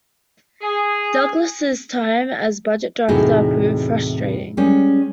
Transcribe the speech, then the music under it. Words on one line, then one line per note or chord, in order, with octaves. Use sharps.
Douglas's time as budget director proved frustrating.
G#4
E2 A2 C3 D#4 F#4 G#4
G3 G#3 C#4